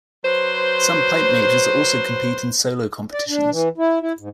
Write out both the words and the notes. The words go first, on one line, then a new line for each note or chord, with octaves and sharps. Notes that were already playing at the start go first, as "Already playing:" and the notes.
Some pipe majors also compete in solo competitions.
F#3 B4 C5
D5
D4
E3
E4
E4
G#2